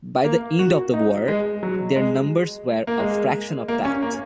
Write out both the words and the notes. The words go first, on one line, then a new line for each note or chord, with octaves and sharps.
By the end of the war, their numbers were a fraction of that.
A#3
F#4
D#4
G#3
F#3
G#3
A#3
G#3
A#3
C#4
A#3